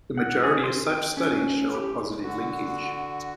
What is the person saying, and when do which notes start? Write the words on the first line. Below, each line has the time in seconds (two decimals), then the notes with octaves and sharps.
The majority of such studies show a positive linkage.
0.18 F#5
0.44 G#4
0.64 C6
0.87 G5
1.17 C#4
1.75 G4
2.23 D3 F#4